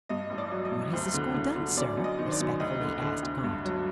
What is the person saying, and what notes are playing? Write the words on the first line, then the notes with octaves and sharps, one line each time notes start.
"What has the school done, sir?" respectfully asked Gaunt.
G2 D#5
A1
D5
F#3
D#5
G2
D2 C5
D3
D3
D3
F#2 D5
F#2
D#5
D#3
C5
D5
F#2
D2 D#5
D3
D3
D2
G2
F#3